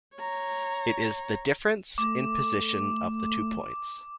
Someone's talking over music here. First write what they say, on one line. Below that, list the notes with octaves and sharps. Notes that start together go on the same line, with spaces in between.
It is the difference in position of the two points.
C#5 A#5
A3 D6